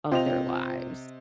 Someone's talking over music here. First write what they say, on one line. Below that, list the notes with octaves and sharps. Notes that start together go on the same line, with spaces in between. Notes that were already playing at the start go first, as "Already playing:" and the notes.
of their lives.
C3 F4 C5 D#5 G5 F7